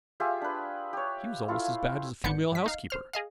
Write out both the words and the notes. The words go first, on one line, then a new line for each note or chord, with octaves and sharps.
He was almost as bad as a female housekeeper.
F4 G4 G#4 E5
D4 B4
G4 C#5
E4 F4 A4 F5
G#1 D3 B3 D5 G6 C#7
G2 B6
D#4 F5
C5 F6
G#4 D#5 F5